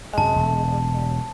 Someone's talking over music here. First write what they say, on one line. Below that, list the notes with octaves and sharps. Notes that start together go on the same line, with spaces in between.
Oh, okay.
F#2 C3 A5
E1